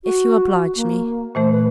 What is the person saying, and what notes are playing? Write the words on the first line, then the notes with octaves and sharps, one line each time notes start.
"If you oblige me."
F#4
A#3
A#2 E3 A3 C5
B4